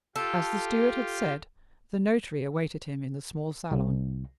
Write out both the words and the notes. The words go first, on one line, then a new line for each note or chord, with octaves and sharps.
As the steward had said, the notary awaited him in the small salon.
F4 G4 A4
C2